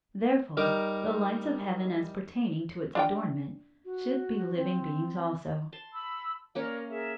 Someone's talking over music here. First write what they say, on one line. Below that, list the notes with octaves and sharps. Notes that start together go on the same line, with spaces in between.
Therefore the lights of heaven, as pertaining to its adornment, should be living beings also.
G3 D#4 A#4 D6
D4 F4 G5
F#4
C4
A5 C6
B5 E6
A#3 C#4 A#4 C#5 D5 F5
G#4 A#4 E5